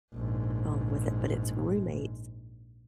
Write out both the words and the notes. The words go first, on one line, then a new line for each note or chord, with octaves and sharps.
um, with it, but it's roommates
A#1 G#2